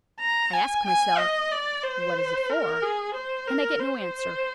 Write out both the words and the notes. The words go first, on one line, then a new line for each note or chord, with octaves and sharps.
I ask myself, What is it for? and I get no answer.
A#5
G#5
G#5
D#5
D5
C5
A#4
G#4
C5
A#4
C5